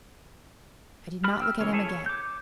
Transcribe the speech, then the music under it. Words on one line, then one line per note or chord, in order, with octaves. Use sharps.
I did not look at him again.
G4 B5 F6
G5 E6 F6
C#3 E3 A#3 C#5
E4 G#4 A4 C#5 E5
C#5
D6 G6